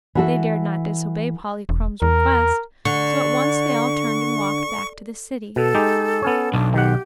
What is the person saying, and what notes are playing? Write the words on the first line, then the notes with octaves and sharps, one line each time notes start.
They dared not disobey Polychrome's request, so at once they all turned and walked back to the City.
E3 F#4 A4
E1
E2 A#4
D3 C#6
B2 A4
G#3 D#4 G4
B3 C#4 C#5
B1 D4
D#3 G4 F#5